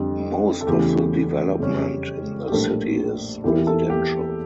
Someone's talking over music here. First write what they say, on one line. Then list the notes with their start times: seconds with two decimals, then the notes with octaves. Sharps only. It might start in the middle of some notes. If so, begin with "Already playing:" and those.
Most of the development in the city is residential.
Already playing: F2 D3 G3 D4
0.61 A4
0.67 E2 C#3 E3 A3 G4
1.60 F2 C#3 G3 C#4
2.47 G4
2.52 A#1 A2 G3 A#3 D4 A4
3.44 E2 E3 A#3 E4 G4
3.67 A4
3.90 G4